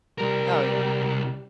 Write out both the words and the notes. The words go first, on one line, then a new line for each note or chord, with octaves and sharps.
Oh, yeah.
C2 G3 A#4